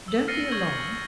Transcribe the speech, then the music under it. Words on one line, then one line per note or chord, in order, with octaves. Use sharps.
Don't be alarmed.
E6 F#7
F6 A6 A#6 C7 C#7 D#7
C#6 G6 G#6 F#7